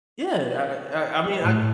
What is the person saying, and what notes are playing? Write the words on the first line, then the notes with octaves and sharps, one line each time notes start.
Yeah, I I I mean, I
A2